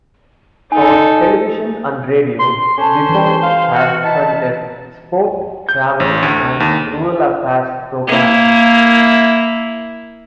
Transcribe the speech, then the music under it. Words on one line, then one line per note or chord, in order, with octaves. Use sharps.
On television and radio Vipond has fronted sport, travel and rural affairs programmes.
D#4 A4 G#5
C6
C#4 A4 C5 A5
E3
F5
F#4 F#5 F6
E4 D#5 A5 A#5 A6
G6
A1
D2
D#2
A#3 E4